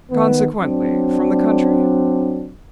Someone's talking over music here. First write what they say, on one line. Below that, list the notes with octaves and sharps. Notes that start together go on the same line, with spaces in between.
'Consequently, from the country?'
D#3 B3
F#3 C4 D4